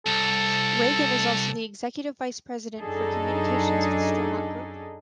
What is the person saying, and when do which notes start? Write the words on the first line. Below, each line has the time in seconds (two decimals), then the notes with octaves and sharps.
Regan is also the executive vice president for communications of the Stronach Group.
0.06 C2 A4
2.79 F#2 D4 D#4 G#4 A4